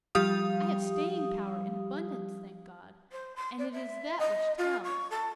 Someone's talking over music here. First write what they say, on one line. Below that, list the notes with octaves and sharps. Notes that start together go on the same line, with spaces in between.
I have staying power in abundance, thank God! and it is that which tells....
F3 G3 G4 F5 D#6
C5
C6
D5
E5
D#5
F4
C#6
A4